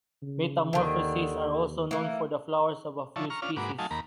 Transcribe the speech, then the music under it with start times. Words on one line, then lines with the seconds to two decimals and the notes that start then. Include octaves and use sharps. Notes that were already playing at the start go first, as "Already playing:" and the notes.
Metamorphoses are also known for the flowers of a few species.
0.22 C#3
0.73 D#2 D3 D#3
1.91 E3 A3 A#3
3.16 D3 F3 E4 C#5 A5
3.30 A#5 C#6 F6
3.42 C#4 D4 F4 F6
3.56 G#2 A#3 F#4 B4 D6
3.79 F#3 A3 D#4 F5 G#5 A5
3.91 D#2 A#3 A#5 B5